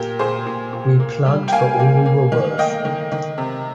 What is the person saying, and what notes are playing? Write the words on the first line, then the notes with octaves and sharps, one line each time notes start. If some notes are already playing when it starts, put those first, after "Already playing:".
We plugged for all we were worth.
Already playing: A#2 G4 A#4
A#2 G#4 C5
A#2
A#2
A#3
G3
G5
A#3 F5 G#5
A#3
A#3
D#3
A#3 D#5 G5
D#3
D#3
C3